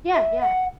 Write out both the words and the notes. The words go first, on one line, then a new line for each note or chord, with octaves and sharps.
Yeah, yeah.
E5
F#5